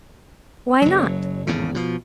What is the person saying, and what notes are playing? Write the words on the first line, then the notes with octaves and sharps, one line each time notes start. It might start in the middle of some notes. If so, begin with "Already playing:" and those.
Why not?
F#1 F#3
G#1 E2 A2 C#3
B2 F3